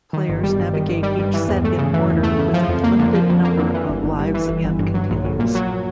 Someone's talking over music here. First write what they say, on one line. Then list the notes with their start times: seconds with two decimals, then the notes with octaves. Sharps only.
Players navigate each set in order with a limited number of lives and continues.
0.13 D#3
0.29 G1
0.43 G3
0.58 G2
0.73 D#3
0.88 G1
1.03 G3
1.19 G2
1.34 E3
1.48 E2
1.64 A3
1.78 C#3
1.93 E3
2.09 E2
2.23 A3
2.38 C#3
2.53 F3
2.68 F2
2.83 A#3
2.99 D3
3.14 F3
3.29 F2
3.44 A#3
3.59 D3
3.74 E3
3.89 G1
4.03 G1
4.19 G2
4.34 E3
4.50 G1
4.64 G1
4.79 G2
4.94 F#3
5.09 A#1
5.24 A#1
5.39 A#2
5.55 F#3